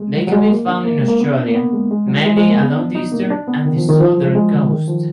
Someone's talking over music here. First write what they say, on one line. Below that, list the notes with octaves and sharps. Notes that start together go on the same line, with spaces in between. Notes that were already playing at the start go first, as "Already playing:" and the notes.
They can be found in Australia, mainly along the eastern and southern coasts.
Already playing: G#3
F#3
F#3
G#3
A#3
D4
A#3
G#3
A#3
B3
D4
A#3
B3
G#3
G#3
F#3
G#3
G#3
A#3
B3
D4
D#4
A#3
D4
B3
D#3
F3
D#3
F3
F#3
G#3
G#3
D3
D#3
F3